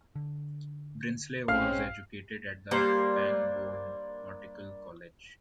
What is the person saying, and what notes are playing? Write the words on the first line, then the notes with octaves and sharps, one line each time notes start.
Brinsley was educated at the Pangbourne Nautical College.
D3
A#1 G#3 C4 C#4 F5 F6 C7
G3 A#3 D4 C5